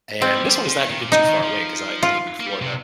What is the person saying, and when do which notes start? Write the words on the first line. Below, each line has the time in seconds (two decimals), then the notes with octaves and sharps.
And this one is not even too far away, 'cause I I live in Florida,
0.22 F3 C4
0.33 G3
0.45 G3
0.56 F3
0.68 F3
0.79 D#3
0.90 D#3
1.01 A#2
1.12 C3 D#4
1.27 D#3
1.43 F3
2.03 F4
2.40 A#3
2.47 G3
2.62 C3